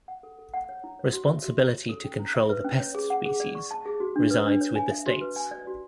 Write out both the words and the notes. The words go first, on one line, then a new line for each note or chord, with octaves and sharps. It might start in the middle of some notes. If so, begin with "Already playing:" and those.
Responsibility to control the pest species resides with the states.
F#5
A4
A4
F#5
C#5
E4
C#5
F#4
E5
F#4
E4
C#5
A4
C#4
E4
E5
B4
C#4
C#5
G#4
F#5
G#4
D5
C#6
A5
G#4
F#4
D4
B4
D4
C#5
G#5
E5
F#4
B4
G#5
D5
F#4